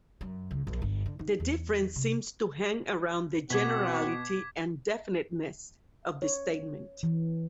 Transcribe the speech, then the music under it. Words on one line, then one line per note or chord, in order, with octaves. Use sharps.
The difference seems to hang around the generality and definiteness of the statement.
F#2
C#2
A#1
G1
D3
D#4
E2
C3
B2 C4 F#4 F#5 D6 G#6 B6
C#5
E3